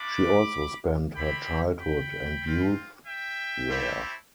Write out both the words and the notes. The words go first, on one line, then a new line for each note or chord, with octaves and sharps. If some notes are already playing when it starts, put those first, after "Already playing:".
She also spent her childhood and youth there.
Already playing: A3 D4 F4 B5 D6
C4 E4 G4 G5 B5
G5 B5
C4
F4
E5 G5
A3 C4 E4 G4